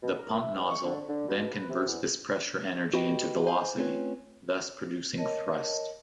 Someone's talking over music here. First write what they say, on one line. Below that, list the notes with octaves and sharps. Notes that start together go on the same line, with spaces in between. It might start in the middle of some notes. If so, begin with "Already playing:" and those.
The pump nozzle then converts this pressure energy into velocity, thus producing thrust.
B2
A#4
E5
G2
C#6
D3
D3
B2
B4
C3
E2
F#4 G4 B4 D#5 F#5 G5
C5 G#5
A3 C4 C#4 F4 B4 C#5
A#4 C#5 D#5 A5